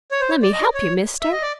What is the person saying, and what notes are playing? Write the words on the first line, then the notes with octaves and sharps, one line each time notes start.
Lemme hep you, Mister.
C#5
C5
C#5
D5
D#5
D5
C#5
E5
D#5
D5